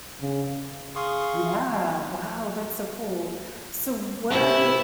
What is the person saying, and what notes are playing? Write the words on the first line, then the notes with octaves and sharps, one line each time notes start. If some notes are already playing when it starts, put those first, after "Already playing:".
Yeah, wow, that's so cool. So what are the
C#3
G#4 F5 C6 C#6 D#6
C3 A3 E4